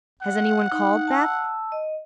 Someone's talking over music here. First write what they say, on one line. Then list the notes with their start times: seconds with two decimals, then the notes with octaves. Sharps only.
Has anyone called, Beth?
0.22 F#5
0.72 D#4
1.08 A5 E6
1.72 D#5